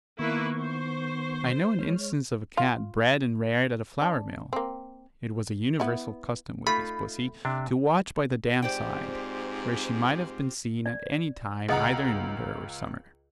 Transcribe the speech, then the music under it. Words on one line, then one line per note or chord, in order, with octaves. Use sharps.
I know an instance of a cat bred and reared at a flour mill: it was a universal custom with this pussy to watch by the dam-side, where she might have been seen at any time either in winter or summer.
D#3 A#3 B3 E4 B4 C#6
C5
G#3 C#5 F6
F4
D4
A#3 C4
B3 E4
A3 D#4 F4 B5
C3 D4
G#2 C4 F4 G4 C5 D5 G5
D5
C#2 G#4 D#5 F#5 A#5 D#6